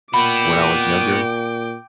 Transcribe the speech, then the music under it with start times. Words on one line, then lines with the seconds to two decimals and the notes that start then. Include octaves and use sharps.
when I was younger,
0.14 A#2 B3 F#4 G5 B5 D6